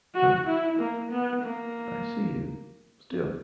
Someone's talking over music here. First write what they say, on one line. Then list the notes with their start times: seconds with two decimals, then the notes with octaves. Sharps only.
No--I see you--still.
0.15 F#4
0.47 E4
0.79 A#3
1.11 B3
1.43 A#3